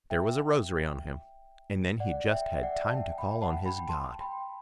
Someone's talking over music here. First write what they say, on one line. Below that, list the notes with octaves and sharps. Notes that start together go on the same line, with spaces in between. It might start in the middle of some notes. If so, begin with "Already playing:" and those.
"There was a rosary on him; and then he just had time to call on his God."
E5 G5
D5 F#5
E5 G5
E5
D5 F#5
A5
E5 G5
G5 B5
F#5 A5
G5 B5
A5 C6
G5 B5